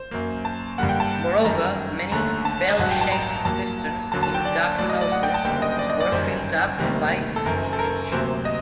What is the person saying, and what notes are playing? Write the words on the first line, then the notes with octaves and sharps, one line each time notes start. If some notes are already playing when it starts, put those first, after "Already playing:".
Moreover, many bell-shaped cisterns in dug houses were filled up by seepage.
Already playing: C5
F#2 F#3 A#3
A5
G2 D3 G3 A#3 F#5
G5
A5
F#2 D#3 G3 A#5
D#2 D3 A3 A#5
A5
D#5
A1 G2 F#3 F#5
G5
A5
A#5
G2 F#3 A#3 A5
D#2 D3 F#3 A#3 A5
A5
G5
D5
A1 A2 F#3 D5
D#5
D5
F#5
G5
A5
F#1 F#2 D3 G3 A#3 G5
D#5
D5
D#5
D5
G1 F#2 D#3 G3 C5
D2 C3 D#3 G3 A#3
A4
F#1 F#2 D#3 A#4
A4
A#4
D2 C3 F#3 A#3 C5
D#5